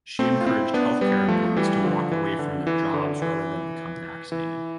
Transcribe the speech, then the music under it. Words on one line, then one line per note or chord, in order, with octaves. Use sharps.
She encouraged healthcare employees to walk away from their jobs rather than become vaccinated.
A3 C4
F4
C4 E4
B3 D4
G3 B3
F3 A3
E3 G3
D3 F3
E3
D3
E3
D3
E3
E3